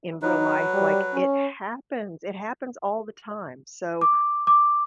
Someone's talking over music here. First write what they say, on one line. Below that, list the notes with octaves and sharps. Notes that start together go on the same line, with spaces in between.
in real life, like it happens, it happens all the time, so,
F#3 D#4 B4
G3
C#4
D6
D6